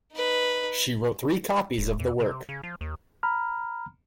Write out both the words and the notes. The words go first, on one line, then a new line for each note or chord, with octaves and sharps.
She wrote three copies of the work.
D#4 B4
D1
E2
C3
C#3
F3
D#2
A#5 B5 F6